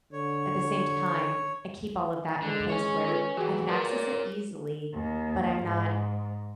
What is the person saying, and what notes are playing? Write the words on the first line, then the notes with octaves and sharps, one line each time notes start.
at the same time, I keep all of that in a place where I can access it easily, but I'm not
D3 C#5
D3 G#3
C#5 G#5
F4 A4 B4
E3 F#4 G#4 G5
A#4 B4 D5
C#5
D#2
G#2